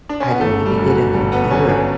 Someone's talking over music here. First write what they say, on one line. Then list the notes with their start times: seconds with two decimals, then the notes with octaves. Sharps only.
I didn't even get a computer
0.09 D4
0.20 C#4
0.31 B3
0.41 G1 A3
0.66 G3
0.78 F#2 D3 F#3
0.89 F#3
1.14 G1 G3
1.32 B3
1.51 F#2 D3 F#3 C#4
1.69 D4